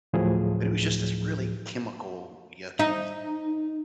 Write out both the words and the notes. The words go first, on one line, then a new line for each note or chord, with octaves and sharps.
but it was just this really chemical yucky
D2 A2 F3 F#3 G#4
D#4